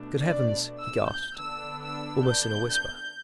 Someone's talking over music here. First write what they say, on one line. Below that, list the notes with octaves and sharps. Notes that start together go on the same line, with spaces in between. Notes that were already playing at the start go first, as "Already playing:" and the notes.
"Good Heavens!" he gasped, almost in a whisper.
Already playing: B2 A3 D4
D5
E6
G6
D3 B3 D4 E6
E6
G6
G6